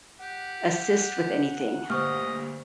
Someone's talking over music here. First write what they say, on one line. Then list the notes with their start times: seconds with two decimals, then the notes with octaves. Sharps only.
assist with anything?
0.21 G4 F#5
1.90 D2 G2 A#2 C5 D#5 C#6 F6